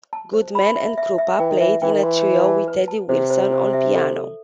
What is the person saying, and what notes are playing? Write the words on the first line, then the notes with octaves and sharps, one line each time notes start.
Goodman and Krupa played in a trio with Teddy Wilson on piano.
A5
C5
B5
E5
E5
E5
E3 G5
D#3
E3 E5
E3 G5
D#3
E3 C6
D#5
A5
B4
A5
C3 C5
C5
C5
E5
A4
A4